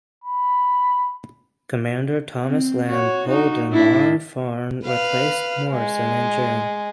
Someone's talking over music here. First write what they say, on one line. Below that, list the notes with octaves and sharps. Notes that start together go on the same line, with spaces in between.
Commander Thomas Lamb Polden Laugharne replaced Morrison in June.
B5
C4
F#4 C#5
D#4 F#4
A2 D4 E4
B4 F5
G#3